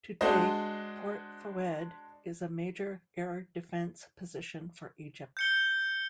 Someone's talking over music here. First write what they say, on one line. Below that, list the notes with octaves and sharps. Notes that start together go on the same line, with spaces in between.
Today Port Fouad is a major Air Defence Position for Egypt.
G#3 D4 F#4 C5 D#5
G6 C#7 G7